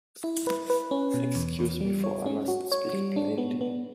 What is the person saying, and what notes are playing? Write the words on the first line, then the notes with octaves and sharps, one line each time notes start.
Excuse me, for I must speak plainly.
E4
B4
B4
C#4
B2
E2
E2
G3
C#5
C#4
F#4
C#5
G3
D4
B3
B3